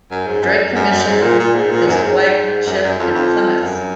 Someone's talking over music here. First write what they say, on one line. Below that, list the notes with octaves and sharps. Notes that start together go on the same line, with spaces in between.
Drake commissioned his flagship in Plymouth.
F#2
G#2
F#2
F#2
F#2
G#2
A#2
A#2
G#2
A#2
F#2
G#2
F#2
F#2
F2
F2
F#2